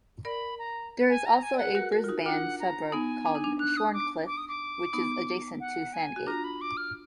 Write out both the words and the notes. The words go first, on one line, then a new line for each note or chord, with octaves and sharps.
There is also a Brisbane suburb called Shorncliffe, which is adjacent to Sandgate.
A#4 D5 B5
A#5
G#5
A#5
G#5
D5
G#4 B4 F#5
F#4 A#4
F#4 A#4
F4
D#4 F#4
D4 F4 F#5
A#5
B3 D#4 G#5
D4
D#4
D4
D4 F#6
D#6
D6
D6
D#6
D6
B3 D#4
F#5
G#5
F#4
D4 F4 A#5
B5
D6
F6